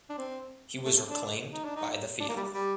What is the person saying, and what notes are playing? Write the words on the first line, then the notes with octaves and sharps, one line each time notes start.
He was reclaimed by the Fianna.
D4
C4
A3
A3
D4
D#4
D4
D#4
D4
A#3
G3
G3